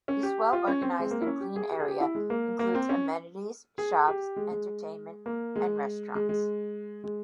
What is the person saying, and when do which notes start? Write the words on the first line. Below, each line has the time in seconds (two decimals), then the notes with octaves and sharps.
This well organized and clean area includes amenities, shops, entertainment and restaurants.
0.08 C#4
0.23 G4
0.53 F4
0.67 C#4
0.82 C4
0.99 G#3
1.11 A#3
1.22 E4
1.27 C#4
1.41 G4
1.56 G#4
1.71 G4
1.80 G#4
1.88 G4
2.01 E4
2.15 G#3
2.30 A#3
2.59 A#3
2.75 C4
2.89 C#4
3.78 G#4
4.08 G4
4.36 G#3
4.52 G#3
5.26 A#3
5.56 G#3
6.15 G#3
6.29 G#3
7.04 G#3